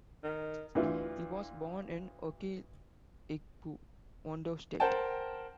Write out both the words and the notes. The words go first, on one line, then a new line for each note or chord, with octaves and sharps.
He was born in Oke-Igbo, Ondo State.
D#3
D2 E3 F4
A#4 C5 F#5 G5 A5